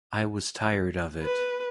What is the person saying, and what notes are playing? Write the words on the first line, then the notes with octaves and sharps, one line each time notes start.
I was tired of it.
B4